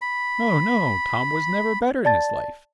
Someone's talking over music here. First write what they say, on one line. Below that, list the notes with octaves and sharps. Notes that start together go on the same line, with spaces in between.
"No, no, Tom was never better in his life."
B5
D5 A5 A6